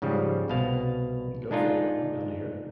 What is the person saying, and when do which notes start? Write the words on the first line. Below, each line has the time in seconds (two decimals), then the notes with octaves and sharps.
Go for it, I'm down to hear it.
0.02 G#2 C#3 F3 G3
0.48 C2 B2 F5
1.51 G#3 D4 D#4 F4